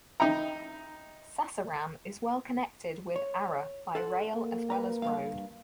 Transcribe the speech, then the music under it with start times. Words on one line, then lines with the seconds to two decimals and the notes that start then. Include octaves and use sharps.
Sasaram is well connected with Ara by rail as well as road.
0.20 D#4 E5 G5 A#5
3.16 C#5
3.95 A4 C5 F#5
4.35 A#3
4.70 B4 A#5
5.02 G2 D#3 F5